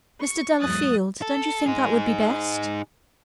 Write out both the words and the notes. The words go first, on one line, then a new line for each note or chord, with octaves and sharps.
Mr. Delafield, don't you think that would be best?...
C#6
E2 G#2 F#3 D#6 F#6 A6
A4
D#4 G#4